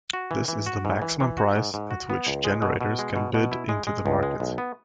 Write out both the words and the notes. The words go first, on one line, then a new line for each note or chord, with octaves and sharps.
This is the maximum price at which generators can bid into the market.
F#4
E3
E3
F#4
G#2
E3
E3
F#4
G#2
G#2
F#4
B3
C#2
G#3
B2
B2
G#3
B2
B2
E4
G#3
G#3
C#2
G#3
B1
B3